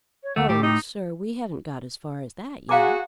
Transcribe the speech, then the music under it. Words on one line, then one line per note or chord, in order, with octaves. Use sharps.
"Oh, sir, we haven't got as far as that yet."
C#5
D2 A3 F#5
A2 G4 D6
D#4 G4
F#4 G#4 F5 A#5 D6